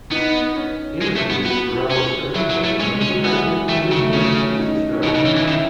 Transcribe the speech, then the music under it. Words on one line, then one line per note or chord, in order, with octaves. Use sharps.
In the piece, Barrell asserted that the main cradle of the tribute band...is Australia.
B3 D#4
C#4
G#3
A3
B3
B3 F#4
C#4
F#3 E4
F#3
A3
G#3 C#4
G#3
C#4
F#3
E3 B3
E3
D#3 A3
F#3
C#3
A3
C#3 C#4
D#4
C#4
B2 D#4
C#3
E3 C#4
E3
D#3 E4